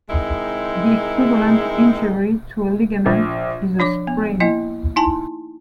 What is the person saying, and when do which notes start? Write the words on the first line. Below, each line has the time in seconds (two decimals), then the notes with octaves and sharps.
The equivalent injury to a ligament is a sprain.
0.09 G#3 C4 D#4 E4 G#4 A#4
3.06 A#1
3.79 F3 D4 C#5 D6
4.07 B3
4.40 A#3 E4 D#5 G#5
4.96 D#4 E4 G#5 A5